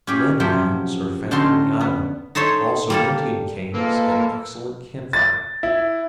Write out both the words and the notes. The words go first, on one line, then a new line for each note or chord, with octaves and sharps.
Lead mines are found in the island; also Indian canes and excellent camphire.
C#4 G4 G#4
C3 F3 F#3 C#4 G4 G5
D3 C4 C#4 D#4 A5 C6
B3
D#4 A4 C5 C#5 E5
G3 A#3 A4
G#2 A#3 F4 A4 B4
A6
E4